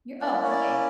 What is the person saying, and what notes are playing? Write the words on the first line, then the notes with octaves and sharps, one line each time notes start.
you're oh, okay,
A#3 C#4 E4 D5
C#5
D5